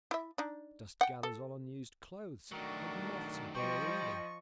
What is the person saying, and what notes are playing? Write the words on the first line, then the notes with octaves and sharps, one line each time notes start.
Dust gathers on unused clothes, and moths burrow in them.
E4 E5
D4 D#4
F#5 G5
A4
D#3 F#3 A3 D4 F#4 A#4
F3 G3 C5 D#5 G5 C#6